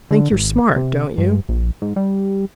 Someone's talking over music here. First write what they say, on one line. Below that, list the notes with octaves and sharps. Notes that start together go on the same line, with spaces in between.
Think you're smart, don't you?
D3
G#1
C3
G2
A#1
G#2
G3